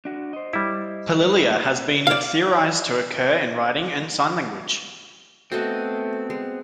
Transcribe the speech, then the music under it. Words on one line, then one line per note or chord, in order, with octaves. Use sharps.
Palilalia has been theorized to occur in writing and sign language.
D4 F#4
C5 D#5
G3 E4
A3 A#3 G#4
D5 F5
A3 B3 C4 F#4 A4 D#5
G#3